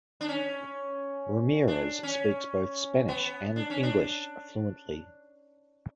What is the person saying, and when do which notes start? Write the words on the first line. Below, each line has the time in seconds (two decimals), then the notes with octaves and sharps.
Ramirez speaks both Spanish and English fluently.
0.21 D4
0.29 C#4
1.68 D4
2.03 C#4
3.08 B3
3.56 D4
3.70 C#4
3.83 D4